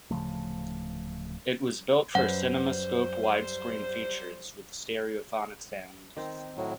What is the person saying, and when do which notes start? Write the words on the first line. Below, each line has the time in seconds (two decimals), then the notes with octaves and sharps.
It was built for Cinemascope widescreen features with stereophonic sound.
0.11 D1 C#3 F3 A3
2.15 F#2 F#3 G3 B4 C5 F#5
6.17 D#3 C4
6.57 A2 F#3